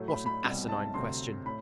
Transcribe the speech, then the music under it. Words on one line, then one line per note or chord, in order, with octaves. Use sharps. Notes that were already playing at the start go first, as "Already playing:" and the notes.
"What an asinine question!"
Already playing: A2 F#3 A3
B5
B5
C2 B2 G3 C4
A5
D2 C3 F#3 C4 C6
A2 B5